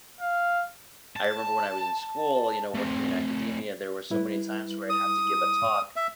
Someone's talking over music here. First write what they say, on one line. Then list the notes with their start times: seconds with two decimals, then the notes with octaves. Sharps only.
I remember when I was in school you know, working in academia, there were so many times where I'd have to give a talk,
0.21 F5
1.16 A5
2.75 A3 C4
4.10 G3 E4 B4
4.90 D#6
5.96 E5